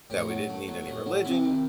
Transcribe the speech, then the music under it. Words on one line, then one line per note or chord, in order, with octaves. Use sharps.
that we didn't need any religion,
A2 G4
F#3
A3
F#3
A2
F#3
C3 E4
D#3